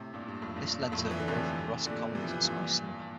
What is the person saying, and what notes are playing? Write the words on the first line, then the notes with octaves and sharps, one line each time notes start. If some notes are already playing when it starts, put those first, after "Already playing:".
This led to a growth of erotic comedies on Spanish cinema.
Already playing: A2 C3
G2 A#2
G2
F2 A2
G2 A#2
A2
G2
F2 A2
E3
D3
A2 C3
A#2 D3
C3 E3
F3
C3 E3
G2 A#2
A#2